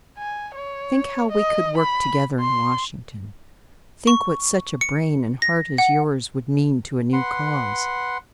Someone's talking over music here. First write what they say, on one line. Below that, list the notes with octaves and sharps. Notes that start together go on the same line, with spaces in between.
Think how we could work together in Washington--think what such a brain and heart as yours would mean to a new cause.
G#5
C#5
D#5
B5
C6
C#6
C#7
A#6
F#5
B4 F#5 C6